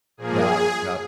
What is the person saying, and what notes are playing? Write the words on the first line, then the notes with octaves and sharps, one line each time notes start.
Yup, yup.
A#2 F3 A#3 G#4